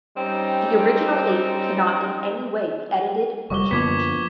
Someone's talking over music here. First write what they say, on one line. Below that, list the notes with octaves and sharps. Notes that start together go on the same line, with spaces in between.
The original eight cannot in any way be edited or changed.
G3 C4 C#4 D#4
F1 G3 C#6 D6 G7
F#2 D3 F3 A#3 B3 D6 G#6 B6